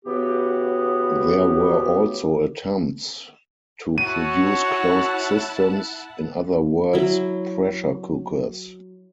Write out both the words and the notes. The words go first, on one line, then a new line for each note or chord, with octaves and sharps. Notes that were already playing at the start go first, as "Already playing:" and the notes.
There were also attempts to produce closed systems, in other words "pressure cookers".
C#3 E3 B3 F#4 G4
E4 F#4 C#5 F#5 A5 D#7
F#3 E4